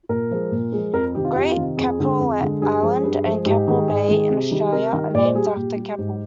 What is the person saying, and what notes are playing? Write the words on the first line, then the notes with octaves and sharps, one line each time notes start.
Great Keppel Island and Keppel Bay in Australia are named after Keppel.
A#2 A#4
F3 G#3
A#2
G#3
F3
F2 A#4
C3 D#3 G4
F4
F2 G4
F4
C3 D#3
F2 G#4
D3 G#3
F2
D3 G#3
G2 G#4
F3 G#3
G2
F3 G#3
G#2 G4
D#3 G#3
G#2 G#4
D#3 G#3
C3
D#3 G3
C3 A#4
D#3 G3
A#2 D5
C5
G3 G#4
G4
A#2
G3
G#2